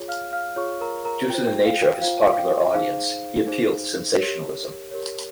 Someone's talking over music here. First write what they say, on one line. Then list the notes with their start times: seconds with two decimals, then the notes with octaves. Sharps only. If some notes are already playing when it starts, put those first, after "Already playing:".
Due to the nature of his popular audience, he appealed to sensationalism.
Already playing: F4 G#4 C#5
0.08 F5 F6
0.32 F5 F6
0.56 F4 G#4 C#5 C#6
0.81 A#4 A#5
1.05 A#4 A#5
1.30 F4 C5 G5
1.47 G5
1.66 F5
1.83 G5
2.01 F4 C5 F5
2.21 F5
2.33 F5
2.39 G5
2.74 D#4 G#4 C5 F5
3.47 D#4 G#4 C5
4.19 G4 A#4 C#5
4.91 G4 A#4 C#5